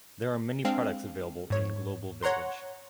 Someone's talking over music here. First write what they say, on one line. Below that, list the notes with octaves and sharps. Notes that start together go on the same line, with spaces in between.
There are many products available in Global Village.
G#3 C4 D4 F5
G#2 C#5
C#5 F#5 A#5 C6